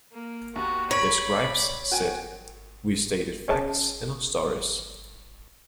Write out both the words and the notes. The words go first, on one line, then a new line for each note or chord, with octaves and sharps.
The scribes said: We stated facts in our stories.
A#3
D#2 F#4
C#5 B5 A#6 D7 D#7
D5
F#4 G5 G#5
C#4 G#4 A5